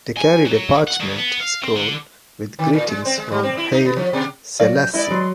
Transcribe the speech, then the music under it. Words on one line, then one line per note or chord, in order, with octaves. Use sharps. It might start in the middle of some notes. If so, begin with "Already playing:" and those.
They carried a parchment scroll with greetings from Haile Selassie.
G#5
F#3
F#5
D2
B3
F5
C4
D3
D#3
A#2
G#3
C4
G#3
G3
C4
E4
D#4
B3
F3
B2
F#3 D5 F5
G6
G#3 E4 B4 D5 D#5
F#3 C6